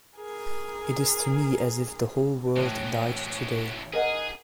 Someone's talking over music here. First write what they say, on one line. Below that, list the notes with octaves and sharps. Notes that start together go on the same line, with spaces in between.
It is to me as if the whole world died today.
G#4 A#4
A2 E3 F#3
G#4 A#4 D#5 F#5